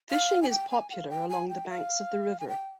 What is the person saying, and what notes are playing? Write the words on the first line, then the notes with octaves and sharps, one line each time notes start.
Fishing is popular along the banks of the river.
F5
G#5
G5
G#5
G5
F5
G5
G#5
G5
F5
G#5
G5